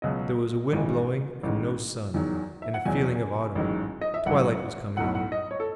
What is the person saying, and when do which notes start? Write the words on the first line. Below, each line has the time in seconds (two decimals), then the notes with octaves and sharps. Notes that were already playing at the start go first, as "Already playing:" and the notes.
There was a wind blowing and no sun, and a feeling of autumn; twilight was coming on.
0.02 C#2 B2 F#3 D#5
0.73 A1 G#2 E3
1.43 A1 G#2 D#3
2.14 E2 D#3 F#3
2.62 E5
2.74 F#5
2.85 E2 B2 F#3 G#5
3.55 A1 G#2 D#3 F#3
4.01 D#5
4.14 E5
4.26 A1 G#2 F#3 F#5
4.97 B1 A2 F#3 F#5
5.15 F#5
5.32 D#5
5.51 C#5
5.60 A4